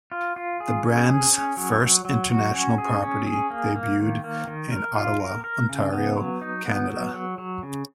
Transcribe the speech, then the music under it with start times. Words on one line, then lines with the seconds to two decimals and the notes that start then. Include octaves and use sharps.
The brand's first international property debuted in Ottawa, Ontario, Canada.
0.12 F4
0.36 F4
0.60 G#4
0.84 C#4
1.09 G#4
1.32 C#4
1.57 F#3
1.81 F#3
2.05 F#3
2.29 F#4
2.54 C#4
2.78 G#4
3.03 C#4
3.27 G#4
3.50 A#3
3.75 A#3
4.00 D#3
4.24 A#3
4.47 D#3
4.72 A#4
4.96 F4
5.20 A#4
5.44 A#4
5.69 C#3
5.92 B3
6.17 F#3
6.42 D#4
6.65 B3
6.89 F#3
7.14 F#3
7.38 F#3
7.63 C#3